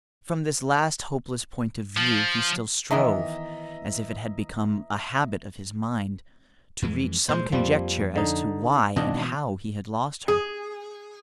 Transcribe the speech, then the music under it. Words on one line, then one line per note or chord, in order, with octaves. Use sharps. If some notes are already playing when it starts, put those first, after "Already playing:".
From this last hopeless point of view he still strove, as if it had become a habit of his mind, to reach some conjecture as to why and how he had lost her.
F3
D#3 E3 B3 D#5 E5 A#5
F2 E3 G#3
A#2 G#3 C5
F2 F3 G3 A#3 C4
D3 D#4
G#1 B2 E3 D4 D#5
G#4